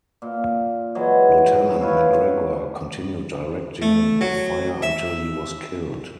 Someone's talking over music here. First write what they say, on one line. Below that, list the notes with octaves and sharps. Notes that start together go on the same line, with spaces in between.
Lieutenant McGregor continued directing the fire until he was killed.
A#2
E3 F#3 G#3
B4 C#5 E5 F5
A3
F#3
E5